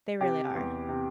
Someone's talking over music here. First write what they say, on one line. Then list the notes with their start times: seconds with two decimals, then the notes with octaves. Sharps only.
they really are.
0.20 C3 G4
0.55 E2
0.89 C3